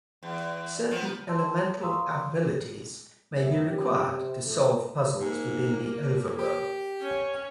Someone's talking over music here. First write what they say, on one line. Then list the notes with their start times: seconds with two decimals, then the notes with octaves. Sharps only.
Certain elemental abilities may be required to solve puzzles within the overworld.
0.23 E2
0.91 F3 B3
1.28 A5 C6 E6
1.83 F5 A#5 C6 C#6 D#6 E6
3.36 F#2 A2 B3 E5
3.68 F#1 F3 C#4 D4 G4
4.03 C3
4.44 A#1 A3
5.21 G#2 A#3
6.02 B2
6.38 G4
7.01 C#4 C#5